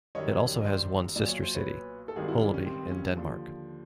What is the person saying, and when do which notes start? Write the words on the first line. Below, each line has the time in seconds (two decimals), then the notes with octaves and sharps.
It also has one sister city: Holeby in Denmark.
0.15 F#2 D#3 G3 C#5 D#5
0.61 D#5
0.65 C5 D5
1.16 B1 A#2 F#3 D5
1.28 C#5
1.42 C5
1.55 B4 C#5
2.08 A4
2.16 G#1 G2 D#3 G3 F#4 G#4
2.28 E4 F#4
2.41 D4 E4
2.54 C#4
2.66 C4
2.91 C#4
3.16 D#2 D3 F3